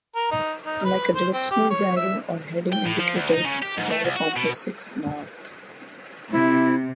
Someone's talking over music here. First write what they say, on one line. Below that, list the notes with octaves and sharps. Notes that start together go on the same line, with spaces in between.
Unlike a directional gyro or heading indicator, a gyrocompass seeks north.
A#4
D#4
D#4
B4
C5
C4
G4
C#5
E5
G5
A2
F3
D2
D#4
C#3
G4
G#2
A3
C2
F#4
B2
C3 E4